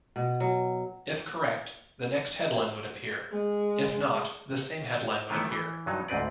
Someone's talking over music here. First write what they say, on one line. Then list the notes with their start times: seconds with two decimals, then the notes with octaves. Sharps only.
If correct, the next headline would appear; if not, the same headline would appear.
0.16 B2
0.40 F#3
3.31 G#3
5.30 D#3 E3 A3 B3 E4 C#5
5.51 E3
5.86 G2 F#3 D#4
6.08 D2 G#2 C4 B4 D5